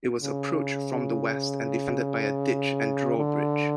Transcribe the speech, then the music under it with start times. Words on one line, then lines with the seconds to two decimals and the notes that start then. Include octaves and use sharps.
It was approached from the west and defended by a ditch and drawbridge.
0.22 C#3
3.18 D3